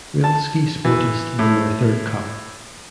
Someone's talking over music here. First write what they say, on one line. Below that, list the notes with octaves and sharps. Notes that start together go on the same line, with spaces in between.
Rilski Sportist won their third cup.
A5
E3
A2